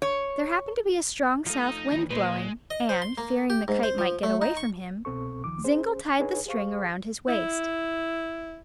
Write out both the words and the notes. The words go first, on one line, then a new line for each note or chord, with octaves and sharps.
There happened to be a strong south wind blowing and, fearing the kite might get away from him, Zingle tied the string around his waist.
C#5
F3 A3 D#4 D#5
D#2 E3
A#2 G#3 B4 C5
D#5
C5
C6
A#3
G4
G#2
C5
F3
A3
D#4
C#6
C2 B2 C4 A4 C#6
C#2 D#3 F3 D6
C#4 G#4 C5
D4 D#4 G#4 B4 C#5 G#5
G4 G#4 C5 F5 C#6
E4